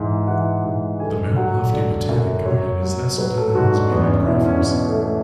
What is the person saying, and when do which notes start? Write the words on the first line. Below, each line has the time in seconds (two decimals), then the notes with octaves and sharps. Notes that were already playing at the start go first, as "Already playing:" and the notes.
The Mount Lofty Botanic Garden is nestled in the hills behind Crafers.
Already playing: G#2 E3
0.28 E3 F#5
0.64 G#2
1.00 D3 G#5
1.36 F#3 F#5
1.73 D3 D5
2.09 F#2
2.46 F#3 C#5
2.82 F#3
3.18 F#3 B4
3.37 A4
3.55 G#2 F#4
3.74 D4
3.91 E2 B3
4.09 C#4
4.24 E4
4.27 B2 D4
4.46 C#4
4.59 C#4
4.64 B2 B3
4.89 A3
5.01 A3